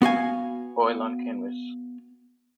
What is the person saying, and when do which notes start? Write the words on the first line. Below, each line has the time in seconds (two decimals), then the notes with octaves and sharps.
Oil On Canvas.
0.02 B3 F#4 F5 G#5